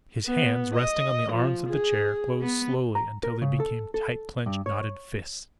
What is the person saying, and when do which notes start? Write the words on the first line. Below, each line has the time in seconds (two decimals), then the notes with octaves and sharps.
His hands, resting on the arms of the chair, closed slowly until they became tight-clenched, knotted fists.
0.26 B3
0.74 D#5
1.31 F3
1.69 G#4
2.41 B3
2.95 A#5
3.23 A#4
3.42 C#3
3.60 A4
3.94 A4
4.46 G2
4.66 C#5